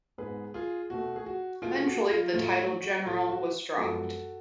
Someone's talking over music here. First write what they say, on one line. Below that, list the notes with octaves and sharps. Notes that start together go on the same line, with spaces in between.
Eventually, the title "General" was dropped.
G#2 G#3 B3 G#4 B4
F4 G#4
B2 A3 F#4
G#4
F#4
B2 A3 F4 G#4
F#4
F4
A2 F#3 A3 F4
F#4
A2 F#3 A3 F4
F#4
F#2 F3 G#3 B3 F#4 A4